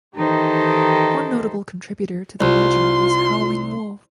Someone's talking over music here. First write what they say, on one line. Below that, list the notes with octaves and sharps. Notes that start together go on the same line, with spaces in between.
One notable contributor to the ledger was Howling Wolf.
D#3 E3 D#4 G4 A4 C5
C2 F4 C6